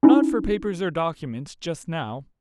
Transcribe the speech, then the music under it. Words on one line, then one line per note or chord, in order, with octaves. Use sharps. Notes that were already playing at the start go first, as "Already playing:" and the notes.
Not for papers or documents--just now.
C#4 D#4 E4